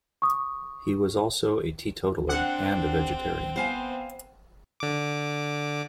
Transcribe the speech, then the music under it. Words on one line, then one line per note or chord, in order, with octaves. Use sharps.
He was also a teetotaler and a vegetarian.
C#6 D#6
C4 D4 F#5
B3 C5 F5 G#5
D3 D6